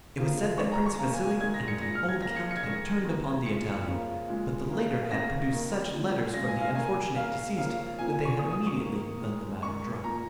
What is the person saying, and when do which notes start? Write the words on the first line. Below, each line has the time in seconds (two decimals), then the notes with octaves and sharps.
It was said that Prince Vasili and the old count had turned upon the Italian, but the latter had produced such letters from the unfortunate deceased that they had immediately let the matter drop.
0.18 C#3 F3 A#3
0.58 D#3 G#3 C#6
0.72 A#5
0.86 C#6
0.99 C#3 A#3 A#5
1.14 G#5
1.27 G#5
1.41 D#3 G#3 G#6
1.54 A#6
1.68 C#7
1.81 A#2 G#3 A#6
1.95 F6
2.09 G#6
2.22 C#3 A#3 A#6
2.36 C#7
2.51 C#7
2.57 G#6
2.64 D#3 G#3 A#6
3.05 D#3 A#3
3.46 A#2 G#3 C#7
3.87 C#3 F3 A#3
4.28 A#2 G#3
4.69 C#3 A#3
5.10 C#3 A#3 A#6
5.52 D#3 A#3
5.93 A#2 G#3
6.34 C#3 G#3 A#6
6.48 G#5
6.61 F5
6.75 D#3 A#3 G#5
7.16 C#3 A#3 F5
7.57 C#3 F3 A#3 F5
7.99 A#2 F3 A#3 G#5
8.13 G#5
8.25 C#6
8.39 A#2 A#3 D#6
8.53 D#6
8.67 C#6
8.80 D#3 A#3
9.22 D#3 G#3
9.63 D#3 G#3 C#6
10.04 A#2 A#3 A#5